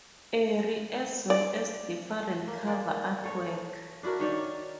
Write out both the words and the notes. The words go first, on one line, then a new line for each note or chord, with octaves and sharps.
Arie, as well as different cover artwork.
D5
A#3
A#3 D5
A4 C#5
D4 E4 F#4 A#4
D#3 C#5 D5